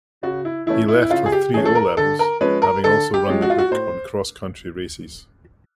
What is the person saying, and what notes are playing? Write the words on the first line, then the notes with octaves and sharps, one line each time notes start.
He left with three O-Levels, having also run the book on cross country races.
C#3 F#4
E4
E3 A3 C#4 E4
E4
E4
C#3 F4
G#4
G4
E3 A3 C#4 G#4
A4
A#4
D3 A4
A#4
F3 G#3 C#4 B4
A#4
D3 A4
G4
F3 G#3 C#4
F#4
F4
F#4
A2 C5